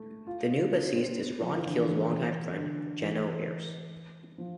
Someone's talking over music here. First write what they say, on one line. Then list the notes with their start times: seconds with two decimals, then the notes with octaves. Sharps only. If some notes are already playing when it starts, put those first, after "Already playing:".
The new bassist is Ron Keel's longtime friend, Geno Arce.
Already playing: A3
0.27 F4
0.73 D4
0.95 C4
1.18 B3
1.41 F3
1.54 E3
1.66 D3
1.79 E3
2.55 D3
3.01 E3
4.38 F3